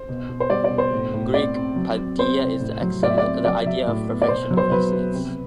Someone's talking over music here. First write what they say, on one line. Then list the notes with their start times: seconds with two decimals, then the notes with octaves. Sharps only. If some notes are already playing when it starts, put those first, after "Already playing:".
Greek paideia is the idea of perfection, of excellence.
Already playing: C5
0.09 B2
0.29 B2
0.40 C5
0.50 G3 D5
0.64 D5
0.71 B2
0.78 C5
0.93 A2
1.14 A2
1.34 C4 D5
1.56 C4
1.76 F#3
1.97 C4
2.18 C4 C5
2.39 C3
2.60 A2
2.82 F#3
3.02 A2 D5
3.10 E5
3.18 D5
3.24 C4
3.44 F#3 D5
3.66 F#3 E5
3.87 A2
4.08 B3
4.22 D5
4.28 B2 C5
4.51 F#3
4.57 C5
4.71 F#3 B4
4.92 B3
5.14 C3